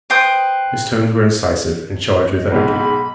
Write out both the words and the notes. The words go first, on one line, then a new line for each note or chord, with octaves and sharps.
His tones were incisive and charged with energy.
B4 C5 G5 D#6
D#5
B1 G#2 B5